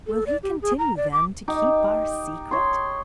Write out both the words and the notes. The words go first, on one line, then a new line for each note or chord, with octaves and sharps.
Will he continue, then, to keep our secret?
A4
D5
G4
G#4
A#5
D5
D6
D#4 G4
C#5 C6